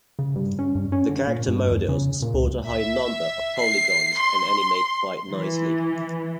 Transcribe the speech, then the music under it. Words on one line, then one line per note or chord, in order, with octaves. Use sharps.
The character models sport a high number of polygons and animate quite nicely.
C#3
G2
C#4
G2
C#4
D3
A#2
G2
E2
C#3
A#2
C#2
E5
C7
C6
E3